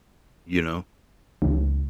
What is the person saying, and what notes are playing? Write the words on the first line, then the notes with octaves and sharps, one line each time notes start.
You know?
C#2